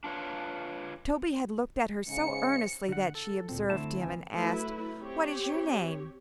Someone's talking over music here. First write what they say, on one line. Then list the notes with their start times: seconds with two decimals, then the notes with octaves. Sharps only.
Toby had looked at her so earnestly that she observed him, and asked, "What is your name?"
0.04 D4 F4 B4 C#5
2.07 G#2 C#3 C#7
2.89 D3 F#5
3.15 A4
3.48 D2 A#2 C4
3.70 D3 A3 C4 E4 A5
4.01 A#1 E3 G#5
4.33 F#3 A3 E4 B4
4.99 C4 G4 C#5